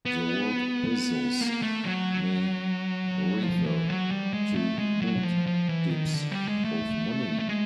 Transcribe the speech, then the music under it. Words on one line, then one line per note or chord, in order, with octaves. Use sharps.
The word "pesos" may refer to both types of money.
B3
A#3
A3
F#3
F3
E3
F#3
G3
G#3
A3
G#3
F#3
F3
F3
E3
D#3
D3
G3
G#3
A3
A3
G#3